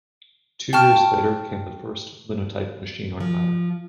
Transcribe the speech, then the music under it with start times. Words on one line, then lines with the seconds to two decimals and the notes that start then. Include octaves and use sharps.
Two years later came the first Linotype machine on hire.
0.73 G5 A5 C#6 F6
3.20 F3